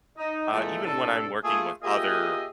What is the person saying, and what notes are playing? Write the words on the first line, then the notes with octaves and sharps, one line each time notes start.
uh, even when I'm working with other,
D#4
A#2 E3 G#3 A3
A2 C3 D4 A4
A3 A#3 F4 G#4
A#3 F4 G4 G#4 D#5 E5